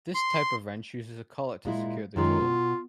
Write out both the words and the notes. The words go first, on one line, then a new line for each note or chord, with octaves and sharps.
This type of wrench uses a collet to secure the tool.
C6
A#2 G#3 E4
F#2 D#3 G#3 F4
B2